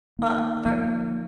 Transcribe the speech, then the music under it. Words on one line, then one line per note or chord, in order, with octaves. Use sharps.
Uh, for
D#3 A#3
F3 A#3